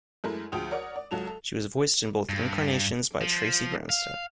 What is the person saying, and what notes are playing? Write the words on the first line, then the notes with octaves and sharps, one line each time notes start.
She was voiced in both incarnations by Tracy Grandstaff.
F#2 G#3 A3 E4 A#4
D2 F3 G#4 G5 D#6 F7
A#4 C#5 D5 F#5
D5
C#2 F#3 A4 F7
A4
G2
F3
F5